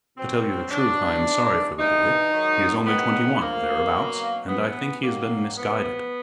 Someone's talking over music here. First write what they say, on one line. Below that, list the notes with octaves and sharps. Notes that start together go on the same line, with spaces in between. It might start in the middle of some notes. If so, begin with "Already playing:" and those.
To tell you the truth, I am sorry for the boy--he is only twenty-one or thereabouts, and I think he has been misguided.
B2 F#3 C4
B2 F#3 D4
G#2 E3
G2 E3 D#4
G#2 D#3 F#3
G#2 D#3 F#3 B3
A#2 F3 A#3
B2 F#3
G2 E3 B3
F#2 D#3 F#3 A#3
A2 F3 B3